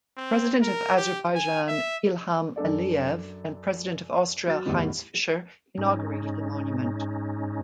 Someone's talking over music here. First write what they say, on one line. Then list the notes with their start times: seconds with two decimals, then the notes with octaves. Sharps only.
President of Azerbaijan Ilham Aliyev and president of Austria Heinz Fischer inaugurated the monument.
0.17 C4
0.61 A#4
0.97 G4
1.35 G#5
1.68 E5
2.56 F#2 D4 A4 D5
4.47 F#3 F6 A6
4.65 E2 A2 D#3 E3 G3
5.78 G#2 C#4 D#4